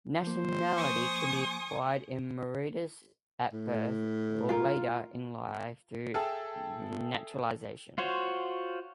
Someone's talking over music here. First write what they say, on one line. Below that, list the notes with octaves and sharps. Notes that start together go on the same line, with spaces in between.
Nationality can be acquired in Mauritius at birth or later in life through naturalisation.
F3 A#3 C5
G#5 C#6 D#6
A2
F4 A#4
G#4 A4 E5 G5 A5 E6
F4 F#4 C5 C#5